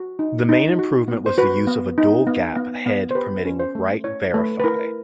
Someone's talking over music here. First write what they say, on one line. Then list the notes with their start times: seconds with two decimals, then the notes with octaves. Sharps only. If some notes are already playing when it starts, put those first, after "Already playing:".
The main improvement was the use of a dual gap head permitting write verify.
Already playing: F#4
0.19 D#4
0.49 D#4
0.79 F#4
1.08 B3
1.26 C5
1.38 F#4 B4
1.67 B3
1.98 D#4
2.27 B3
2.56 B3
2.86 B3
3.11 C5
3.15 G4 B4
3.45 C#4
3.60 C5
3.75 A3
4.04 E4 C#5
4.34 A3 B4
4.60 B4
4.64 E4 A#4